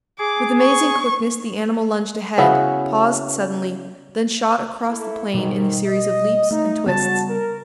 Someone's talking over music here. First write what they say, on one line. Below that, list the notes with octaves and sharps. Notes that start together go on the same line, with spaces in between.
With amazing quickness the animal lunged ahead, paused suddenly, then shot across the plain in a series of leaps and twists.
G#4 D6
C#6
C#3 B3 E4 F#4
A3 E4 A4
G#2 B2 D#3 G3
D#5
A3 D#4
C#3 G3 B3 F#4 A5
A#4